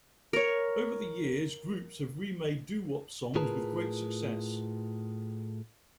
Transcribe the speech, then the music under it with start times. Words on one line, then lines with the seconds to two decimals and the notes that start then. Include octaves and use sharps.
Over the years groups have remade doo-wop songs, with great success.
0.33 A#4 C#5
3.35 A2 F4 G#4 A#4 B4 A5